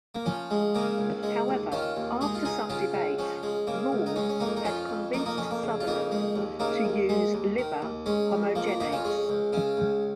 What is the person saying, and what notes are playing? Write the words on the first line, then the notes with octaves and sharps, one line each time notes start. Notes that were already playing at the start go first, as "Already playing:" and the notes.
However, after some debate, Rall had convinced Sutherland to use liver homogenates.
A#3
F3 C#4
G#3
C#3 A#3 D#4
C#2
G#3
D#2
D#3 C#4 F4
D#2
G#3 D#4 G#4
F4
C#2 D#4 G#4
C#3 C#4 F4
C#2
F3 C#4
G#3
C#3 A#3
C#2
D#4
G#3 C#4
C#4
F2 A#3 D#4
D#4
F3 C#4 F4
F2
F3 A#3 D#4
A#3 D#4
F2 C#4
A#3
C#3
F4
F2 A#3 D#4
G#3
D#2
C#3 A#3 D#4
D#2
G#3
D#2
D#3
D#2
G#3 C#4
F2
F3 A#3
A#3
F2 A#3 D#4
C#4 F4
G#3 C#4
C#2
C#3 C#4
C#2